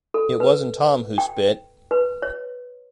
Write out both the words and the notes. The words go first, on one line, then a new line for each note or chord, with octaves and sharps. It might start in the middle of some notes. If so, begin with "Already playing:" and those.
It wasn't Tom who spit.
A4
B4
G5
B4
C#5